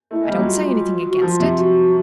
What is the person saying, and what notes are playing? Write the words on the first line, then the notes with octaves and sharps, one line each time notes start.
I don't say anything against it.
A3 E4
G#3
G3
F#3 F4
F#4
F3 F4
C3
F4
F#4